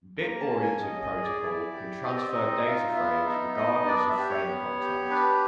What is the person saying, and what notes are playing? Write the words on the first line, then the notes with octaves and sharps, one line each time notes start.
Bit oriented protocol can transfer data frames regardless of frame contents.
A#3 A#5
A5
C#4
G#5
C#4 D#5
D#5
G#4
D5
E4 D5
G4
C4 D#5
D5
D#5
D#4
F4 E5
B3 E5
D#4 E5
B3 D#5
D4 D5
E5
G4
C#5
B3
G4
D4 B4